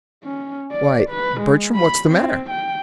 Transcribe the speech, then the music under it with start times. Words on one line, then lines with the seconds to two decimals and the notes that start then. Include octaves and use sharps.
"Why, Bertram, what's the matter?"
0.24 C#4
0.72 D5
1.10 B4
1.41 G#3
1.76 B5
2.10 C4
2.50 G5